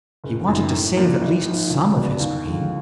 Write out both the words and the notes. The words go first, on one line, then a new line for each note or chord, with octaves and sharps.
He wanted to save at least some of his grain.
F#1
F#2 D#3
A2
F3 A#3 D4
G#1
G#2 F3
D2
C#3 F#3 B3 D4
D#2
D3 F3 G#3